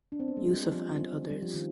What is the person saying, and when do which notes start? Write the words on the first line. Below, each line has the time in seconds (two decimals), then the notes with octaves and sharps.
Yusuf and others.
0.12 D4
0.20 C4
0.28 B3
0.37 G#3
0.45 G3
0.72 F3
1.30 G3
1.42 F3
1.54 D#3